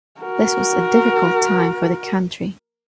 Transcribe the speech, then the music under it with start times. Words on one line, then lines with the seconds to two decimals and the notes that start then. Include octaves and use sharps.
This was a difficult time for the country.
0.21 F#4 A#4